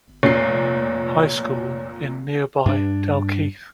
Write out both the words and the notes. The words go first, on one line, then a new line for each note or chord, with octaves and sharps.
High School in nearby Dalkeith.
F1 A#2 C#5 C7
G2 D4